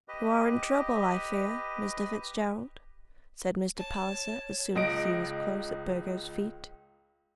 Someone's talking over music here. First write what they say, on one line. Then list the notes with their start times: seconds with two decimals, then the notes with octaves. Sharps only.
"You are in trouble, I fear, Mr. Fitzgerald," said Mr. Palliser, as soon as he was close at Burgo's feet.
0.08 G4 B4 D#5
3.76 C#5 A5
4.75 C#2 D#5 A#6 D7